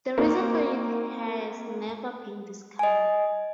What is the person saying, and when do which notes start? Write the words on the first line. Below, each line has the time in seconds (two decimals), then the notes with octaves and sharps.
The reason for it has never been discovered.
0.18 A#3 C4 D#4 F#4
2.79 D#5 G#5